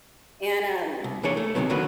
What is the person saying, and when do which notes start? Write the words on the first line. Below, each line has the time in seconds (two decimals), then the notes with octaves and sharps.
and, um
1.04 C2
1.23 E3 A#3 D4 G#4 C#5
1.37 A3
1.55 C#2 C3 D#3 F#3 B3
1.69 D3 D#3 F#3 A#3 F#4 B4